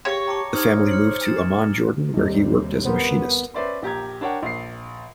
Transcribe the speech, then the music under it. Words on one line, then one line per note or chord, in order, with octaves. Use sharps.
The family moved to Amman, Jordan, where he worked as a machinist.
G4 G#4 C#5 F5 G5 A#6 C#7
G5 A5 A#5 C#6 D6 C#7
D#4 G4 C5 D#6 F6 G#6
F6 C#7 F#7
G#5 A6 E7
D#2 C3 G3 D#4
B3 A#4 C5
C#4 B4 C5 D5 E5 C6
A#1 G4 A#5 G#6
D4 A#4 C#5 F#5 G5
A#1 C7